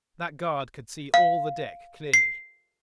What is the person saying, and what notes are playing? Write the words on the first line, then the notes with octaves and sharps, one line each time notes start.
That guard could see all the deck clearly.
F5
C7